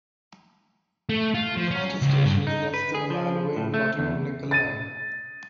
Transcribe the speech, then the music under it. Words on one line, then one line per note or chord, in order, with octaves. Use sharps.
Carlton station is less than a mile away on the Nottingham - Lincoln line.
A3
F4
F3
C#4
C#2
G2
D#4
B4
G#4
F3
A2
A3
E2
A6 D#7